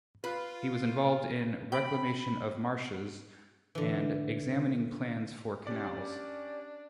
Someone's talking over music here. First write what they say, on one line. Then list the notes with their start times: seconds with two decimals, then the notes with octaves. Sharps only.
He was involved in reclamation of marshes and examining plans for canals.
0.24 F4 B4
1.72 G5 B5
3.75 D3 E3
5.67 C#4 D4 G4 D5